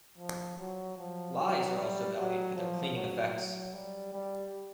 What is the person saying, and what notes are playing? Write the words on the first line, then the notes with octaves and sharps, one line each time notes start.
Lyes are also valued for their cleaning effects.
F3
F#3
F3
F#3
G3
F#3
F3
F#3
F#3
G3
G3